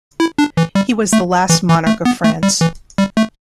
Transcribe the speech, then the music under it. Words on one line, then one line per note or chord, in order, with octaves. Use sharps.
He was the last monarch of France.
E4
D4
E3
G3
A3
E3
E3
A3
B3
A3
G3
E3
G3
A3